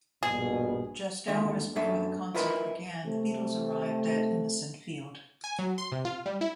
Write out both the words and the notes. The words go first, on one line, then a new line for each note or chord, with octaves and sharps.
Just hours before the concert began, the Beatles arrived at Imeson Field.
A#1 G2 B2 G#4
D#2 D3 G#3 E5
F#2 F#3 D4 A4 E5
E4 F4 A#4 B4 D#5
C3 A3
G#5
F#3
C6
C3
F4
G3
E4